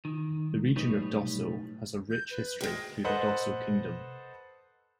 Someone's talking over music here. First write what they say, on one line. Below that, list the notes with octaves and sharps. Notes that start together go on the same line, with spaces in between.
The region of Dosso has a rich history through the Dosso Kingdom.
D#3
B1 A2 G3 D#4 B4 C#5
G6
B4
D2 G#3 G5
A4 B4 C5 D#5 F#5 F#6